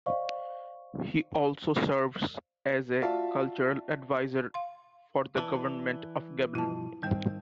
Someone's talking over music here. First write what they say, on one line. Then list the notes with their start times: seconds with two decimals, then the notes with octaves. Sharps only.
He also serves as a cultural advisor for the government of Gabon.
0.06 C5 D5 D#5 F5 C#6
3.02 F4 F#4 D5 E5 F5 A5
4.54 F5 C6
5.38 E3 D5 A5
6.55 G2 B2 F3 E4 A5
7.02 G#2 D#3 G3 C4 G5